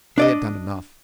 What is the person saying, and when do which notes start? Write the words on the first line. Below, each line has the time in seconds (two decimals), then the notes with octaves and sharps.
They had done enough.
0.18 D4 D5 D#5